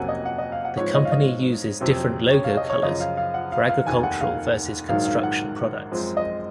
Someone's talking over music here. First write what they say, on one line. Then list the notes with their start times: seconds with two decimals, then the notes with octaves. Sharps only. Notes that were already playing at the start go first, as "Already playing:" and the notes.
The company uses different logo colors for agricultural versus construction products.
Already playing: F2 C3 F#3 A#3 C#4 F#5 G#5
0.09 D#5
0.25 F#5
0.38 D#5
0.52 F5
0.65 F#5
0.77 G#2 F3 C4 C#5
0.95 D#5
1.05 F5
1.12 D#5
1.80 F2 C3 F#3 C4
2.31 C#5
2.44 F5
2.57 D#5
2.70 C#5
2.82 F#2 C#3 F3 D#5
3.00 F5
3.17 F5
3.34 F#5
3.52 F5
3.69 F5
3.85 F1 D#2 D#3 G#5
4.03 F#5
4.21 F5
4.89 A#1 G#2 D#3 F#3 F5
5.05 F5
5.23 F#5
5.91 F#2 F3 G#3 C4
6.17 D#5